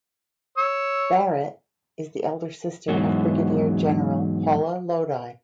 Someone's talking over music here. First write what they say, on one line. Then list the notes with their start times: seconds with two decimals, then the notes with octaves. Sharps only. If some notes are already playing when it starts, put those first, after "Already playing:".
Barrett is the elder sister of Brigadier General Paula Lodi.
0.57 C#5 E6
2.88 E2 G#2 F#3